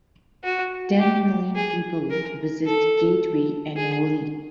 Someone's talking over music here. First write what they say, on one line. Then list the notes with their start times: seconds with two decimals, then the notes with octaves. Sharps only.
Ten million people visit Gateway annually.
0.44 F#4
0.99 G4
1.55 G#4
2.10 A#4
2.66 A4
3.76 G#4